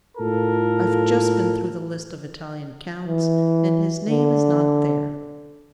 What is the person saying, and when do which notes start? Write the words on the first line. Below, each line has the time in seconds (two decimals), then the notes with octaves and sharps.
I've just been through the list of Italian counts, and his name is not there.
0.17 A2 F4 A4 A#4
3.07 E3
4.09 D3